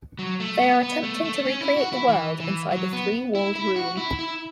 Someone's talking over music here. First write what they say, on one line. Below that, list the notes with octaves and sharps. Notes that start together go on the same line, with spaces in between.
They are attempting to recreate the world inside a three-walled room.
F#3
A3
B3
B3
A3
A3
C#4
E4
F#4
E4
E3
E3
F#3
B3
E4
E4
F#4
E4
E4